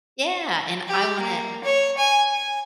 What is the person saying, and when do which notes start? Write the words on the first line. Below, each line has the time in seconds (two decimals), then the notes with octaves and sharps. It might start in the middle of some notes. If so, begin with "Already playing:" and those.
Yeah, and I wanna ,uh
0.88 G4
1.19 A#3
1.63 C#5
1.97 G#5
2.33 G#5